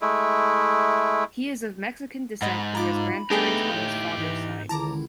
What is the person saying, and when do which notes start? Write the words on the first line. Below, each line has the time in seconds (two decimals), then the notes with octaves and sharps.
He is of Mexican descent through his grandparents on his father's side.
0.01 G#3 A3 E4
2.42 G#2 D#5 F#5 B5
2.75 D#4 F4 A#5 B5 D6 A6
3.30 A3 B3 D4 D#4 G4 G#4 G#5
3.74 A2 E4
4.17 G#2 E3
4.69 C#2 D3 D#3 E4 A5 A#5 D6